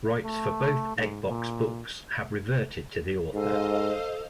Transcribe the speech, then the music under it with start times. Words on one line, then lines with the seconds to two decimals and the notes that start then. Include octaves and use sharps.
Rights for both Eggbox books have reverted to the author.
0.24 A3
0.97 G#2
1.29 A#2
3.34 G#2 A4 C5 D#5 F5